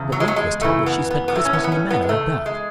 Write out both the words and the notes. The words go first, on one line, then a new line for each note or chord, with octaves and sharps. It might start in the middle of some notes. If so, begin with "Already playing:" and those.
"But Link was told that she spent Christmas in the Manor at Bath."
Already playing: E2 C#3
F#3
G#3
F#3
G#3
F#2 C#3 E3 A3
B3
B3
B3
A2 E3 A3
C#4
B3
B3
C#4
B3
G#3
E2 C#3 A3
G#3